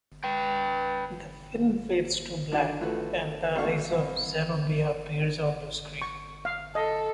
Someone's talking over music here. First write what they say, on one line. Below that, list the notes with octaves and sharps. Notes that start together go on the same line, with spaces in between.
The film fades to black, and the eyes of Zenobia appear on the screen.
B4 G5
D3 D#3 F#3 D4
E3 F3 A3 F#4 B4
G#1 B2 A3 F5 C#6
C2
C#6
F5
A4 D#5